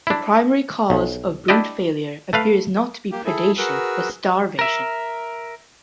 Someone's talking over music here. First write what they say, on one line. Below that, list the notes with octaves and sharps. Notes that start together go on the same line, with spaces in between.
The primary cause of brood failure appears not to be predation but starvation.
D4 E4
B1
D4 E4 G4 D5 D#5
A3 B4 F5
A#3 G4
E4 G#4 A4
F#4 G#4 A#4 B4 E6
A#4 E5